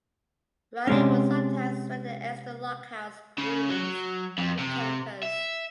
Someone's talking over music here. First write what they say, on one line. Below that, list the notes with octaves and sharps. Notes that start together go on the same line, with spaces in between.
Riley would sometimes rent the extra lock house rooms to campers.
C3 G#3 C#4
C#3
F#3
F2
C3
E5